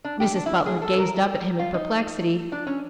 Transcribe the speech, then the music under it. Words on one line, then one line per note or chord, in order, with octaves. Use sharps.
Mrs. Butler gazed up at him in perplexity.
D4
G4
D4
E4
G#4
A4
A#4
F4
D#4
D4
C#4